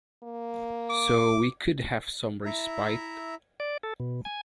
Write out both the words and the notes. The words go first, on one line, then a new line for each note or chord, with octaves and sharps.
So we could have some respite.
A#3
D6
E4 E5 A#5
D5
A4
B2
G#5